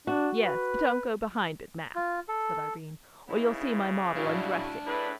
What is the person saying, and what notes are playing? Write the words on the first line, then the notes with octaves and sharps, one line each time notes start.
"Yes, but don't go behind it, Mapp," said Irene, "or you'll see my model undressing."
D4 F#4
B4
F4
A4
C#3 B3 D#4 E4
D4 E4 F#4 F5
A2 E4 G#4 B4